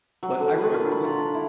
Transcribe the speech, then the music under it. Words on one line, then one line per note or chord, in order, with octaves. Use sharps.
But I remember the
F#3
D3
B4
A#2
B5
F4
D4
E4